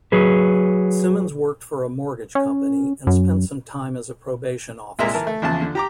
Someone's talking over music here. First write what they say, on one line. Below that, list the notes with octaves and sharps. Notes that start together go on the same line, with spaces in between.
Simmons worked for a mortgage company and spent some time as a probation officer.
F#3 G#4 B4
C#4
F#2
C2 A#2 G#3 A#3 E5 A#5
E3 A#4 A5
A3
A#1 E2 C#3 A5
D3
G4 A#5 D6